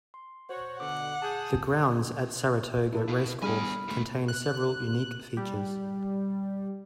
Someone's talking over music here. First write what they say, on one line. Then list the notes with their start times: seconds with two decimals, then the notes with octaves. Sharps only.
The grounds at Saratoga Race Course contain several unique features.
0.14 C6
0.49 F#4 C5 C#5
0.80 B2 D3 F#5 D6
1.22 G#4 A5 G6
2.93 E4 A4
3.08 B2 F5
3.43 G3 B3 D4 G#4 G#5 B5 F6
3.88 D3 A3
4.28 F#6
5.37 G3